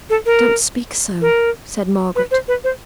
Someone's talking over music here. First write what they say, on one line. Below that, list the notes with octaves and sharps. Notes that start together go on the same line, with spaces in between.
'Don't speak so!' said Margaret.
A4
A#4
A#4
B4
C5
B4
C5